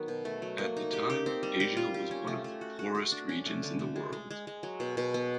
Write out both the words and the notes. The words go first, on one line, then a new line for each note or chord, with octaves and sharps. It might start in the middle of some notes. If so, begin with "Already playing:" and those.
At the time, Asia was one of the poorest regions in the world.
Already playing: D#3 F#3 B3
B2
A3
F#3
A#3
D#4
G4
G4
C4
G3
G3
F4
G4
C#4
A3
A3
F#4
F#4
F#4
D4
C#4
A3
D3
A3
G#3
G#3
G#3
G#3
F#3
B2
B2
B3